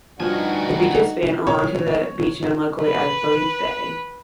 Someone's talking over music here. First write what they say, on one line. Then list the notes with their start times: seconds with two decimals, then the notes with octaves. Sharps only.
The beaches span along to the beach known locally as "Boatie's Bay".
0.20 D2 G2 F3 D#4 F#4 G#5
1.47 C#5
2.82 B4